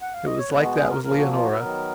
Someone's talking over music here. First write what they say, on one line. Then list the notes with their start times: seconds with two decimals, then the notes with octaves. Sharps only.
It was like that with Leonora.
0.01 F#5
0.13 F5
0.26 D#5
0.38 C#5
0.49 B2 G#3 B3 B4
0.63 F#4
0.77 G#4
0.91 A#4
1.04 A#2 F3 A#3 A#4
1.18 F#4
1.32 F4
1.44 F#4
1.52 B4
1.58 D#3 F#3 B3 A#4